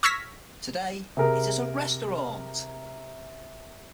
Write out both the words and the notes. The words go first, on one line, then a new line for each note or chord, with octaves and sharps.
Today it is a restaurant.
C#6 E6 F6 G#6 A#6 B6
C3 G#4 A#4